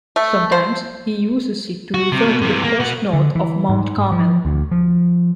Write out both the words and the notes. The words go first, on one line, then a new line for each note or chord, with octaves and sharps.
Sometimes, he uses it to refer to the coast north of Mount Carmel.
A3
C5
F#4
C3
B2
C3 E3
A#3
B2 F#5
D3
E3
G#2
F3
D2
F3